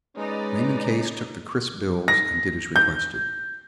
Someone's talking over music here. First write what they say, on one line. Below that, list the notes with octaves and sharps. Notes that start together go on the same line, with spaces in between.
Raymond Case took the crisp bills and did as requested.
G#3 C#4 D#4 B4 D5
A#6
G6